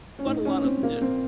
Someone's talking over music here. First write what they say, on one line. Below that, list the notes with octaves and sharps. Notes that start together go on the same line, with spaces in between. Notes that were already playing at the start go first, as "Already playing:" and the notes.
but a lot of 'em didn't,
C#4
A2 D#4
C#4
C4
A#2 A#3
C4